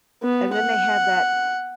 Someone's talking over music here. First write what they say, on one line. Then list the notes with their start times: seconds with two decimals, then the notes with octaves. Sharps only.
and then they have that
0.23 B3
0.53 F#5